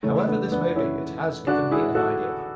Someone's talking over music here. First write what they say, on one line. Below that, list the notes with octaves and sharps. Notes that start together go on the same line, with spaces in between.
However this may be, it has given me an idea.
E2 C#3 E3 A3 C#4
B3 D4
B3 D4
C#4 E4
D4 F#4
E4 G#4
F#4 A4